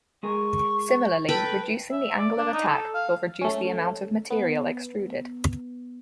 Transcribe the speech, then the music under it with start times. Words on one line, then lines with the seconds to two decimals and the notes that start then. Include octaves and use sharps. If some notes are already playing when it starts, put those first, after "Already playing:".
Similarly, reducing the angle of attack will reduce the amount of material extruded.
0.23 G#3 G#4 A#4 C#6
1.29 A4 B4 G5 B5
1.92 E5
2.18 D5
2.37 D4
2.53 D#4
2.68 A4
2.94 F5
3.41 A3 C#4
4.30 B3